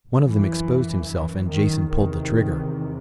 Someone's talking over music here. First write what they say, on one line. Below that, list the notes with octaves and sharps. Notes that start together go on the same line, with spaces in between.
One of them exposed himself and Jason pulled the trigger.
F#2 E3
E3
D#3
E2 C3 D#3